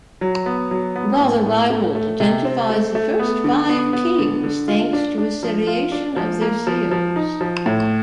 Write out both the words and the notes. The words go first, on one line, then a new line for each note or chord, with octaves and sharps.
Rather, Ryholt identifies the first five kings thanks to a seriation of their seals.
F#3
B3
F#3
B3
A2
A2
A3
A3
C3
C4
A3
A3
B3
D3
B3
B3
D3
D3
F4
D4
D4
F3
F4
D4
F3
A#3
F3
F3
D#4
F3
A2